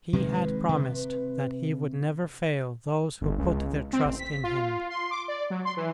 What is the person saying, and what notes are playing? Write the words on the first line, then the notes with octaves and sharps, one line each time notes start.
He had promised that He would never fail those who put their trust in Him.
C3 D#3 G#3 B4
C3
G1
C#2
C4
A1
B6
F4
C6
D6
D5
F#3
C6
E3